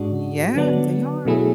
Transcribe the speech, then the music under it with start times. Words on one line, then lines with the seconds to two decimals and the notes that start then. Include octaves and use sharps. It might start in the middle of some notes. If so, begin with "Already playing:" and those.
Yeah, they are,
Already playing: G#2 G#3 D4 F#4
0.55 D3 F#3 B3 D4
1.25 B2 F#3 A3 E4 G#4